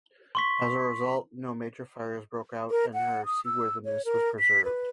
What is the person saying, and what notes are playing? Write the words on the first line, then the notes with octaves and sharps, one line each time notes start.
As a result, no major fires broke out and her seaworthiness was preserved.
C6 C#6 B6
A#4
F#5
D#6
E6
C#5
A#4
B6
B4